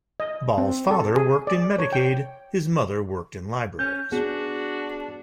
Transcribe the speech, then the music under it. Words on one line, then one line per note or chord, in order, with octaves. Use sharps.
Ball's father worked in Medicaid; his mother worked in libraries.
D#5
C4
A4
G#4
D5
C#5
G5
C#4 G6
B3 D4 F#4 G#4